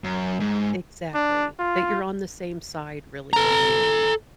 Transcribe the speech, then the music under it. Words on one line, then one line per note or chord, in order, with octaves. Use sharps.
Exactly. That you're on the same side really in the end.
F#2
G#2
D4
F4
A4 A#5